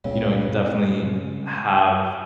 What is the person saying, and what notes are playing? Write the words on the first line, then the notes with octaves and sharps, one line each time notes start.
you know, you definitely have
C#2 A#2 C#3 G#3 C4
A#2 G#3 C4
C#3 G#3 C#4